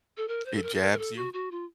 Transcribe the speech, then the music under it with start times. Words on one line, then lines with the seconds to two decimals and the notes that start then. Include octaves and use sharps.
It jabs you.
0.17 A4
0.28 A#4
0.46 C5
0.55 A4
0.63 A#4
0.74 A4
0.81 A#4
0.92 A#4
0.99 A4
1.16 F#4
1.33 F#4
1.51 F4